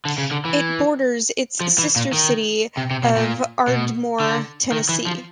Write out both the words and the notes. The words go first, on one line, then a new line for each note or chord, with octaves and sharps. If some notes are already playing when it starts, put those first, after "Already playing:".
It borders its sister city of Ardmore, Tennessee.
D3
C#3
D3
E3
F3
E3
A#2
D#3
C3
C3
B2
A#2
B2
D3
D#3
E3
F3